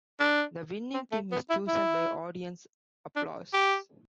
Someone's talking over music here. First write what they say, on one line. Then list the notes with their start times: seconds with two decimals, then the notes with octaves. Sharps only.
The winning team is chosen by audience applause.
0.20 D4
0.94 C4
1.12 A3
1.32 B3
1.50 E4
1.68 E4
3.16 D4
3.54 G4